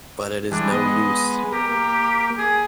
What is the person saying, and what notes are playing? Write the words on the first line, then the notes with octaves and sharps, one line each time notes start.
But it is no use.
E3 G3 G#3 D4
G#3 B3 D#5
G4 A#4
A#3
G#4